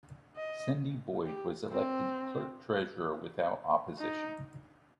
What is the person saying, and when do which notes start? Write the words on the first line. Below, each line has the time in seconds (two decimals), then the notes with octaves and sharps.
Cindee Boyd was elected clerk-treasurer without opposition.
0.36 D#5
1.26 G4
1.72 C4
3.98 D#4